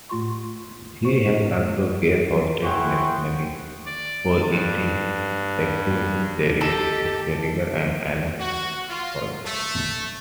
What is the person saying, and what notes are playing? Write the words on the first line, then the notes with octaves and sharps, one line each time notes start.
He has also guest hosted nationally for Ed Schultz, Jerry Springer, and Alan Colmes.
A2 A3 F4 C6 C#6
C5 C#6
E4 G#4 F#5 G5 C6 C#6
D5
G2
G4 A4 D#5 A5
F#4
F4
A3